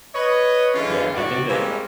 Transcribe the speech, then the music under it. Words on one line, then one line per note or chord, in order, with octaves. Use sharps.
Yeah, I think that a
B4 C#5 D#5
D3 E3 G#3 C#4 F4
A2 F#4 D5
G3 G#3 A#3 C4 C#4